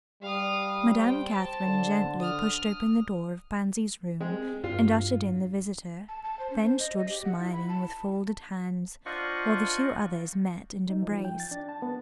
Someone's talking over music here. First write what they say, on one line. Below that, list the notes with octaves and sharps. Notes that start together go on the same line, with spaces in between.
Madame Catherine gently pushed open the door of Pansy's room and ushered in the visitor; then stood smiling with folded hands while the two others met and embraced.
G3 F5 D#6
C4 G5
C5 A5
D3
D#6 F6
G#3 C4
G2 F4
A5
A5
C5
C#4
C5
D#5
D#5
G4
F#5
E4
B5
A5
D4 F4 C5 D#5 F#5 C#6
D#4
F3
G5
A6
D4
A5
B3